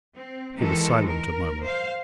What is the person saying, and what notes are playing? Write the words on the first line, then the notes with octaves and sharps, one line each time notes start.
He was silent a moment.
C4
D#3 E3 G#3 A4
A#4
C5 F5